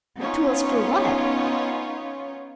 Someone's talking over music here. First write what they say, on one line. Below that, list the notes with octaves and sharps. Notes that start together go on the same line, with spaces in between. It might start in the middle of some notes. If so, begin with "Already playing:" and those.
"Tools for what?"
B3 C#4 D#4 F4 C#5